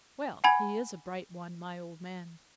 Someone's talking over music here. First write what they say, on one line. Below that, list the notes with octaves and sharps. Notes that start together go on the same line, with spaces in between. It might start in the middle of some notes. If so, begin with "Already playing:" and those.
Well! he is a bright one, my old man!
F#5 G#5 B5 G#6